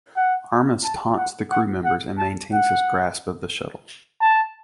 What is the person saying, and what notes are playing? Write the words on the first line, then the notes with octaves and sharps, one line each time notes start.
Armus taunts the crew members and maintains his grasp of the shuttle.
F#5
A5
F#5
F#5
F#5
A5
F#5
A5